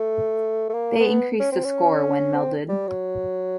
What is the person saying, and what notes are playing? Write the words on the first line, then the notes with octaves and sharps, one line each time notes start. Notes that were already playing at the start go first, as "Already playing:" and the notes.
They increase the score when melded.
Already playing: A3
A3
A#3
B3
C#4
C4
C#4
C4
G3
F#3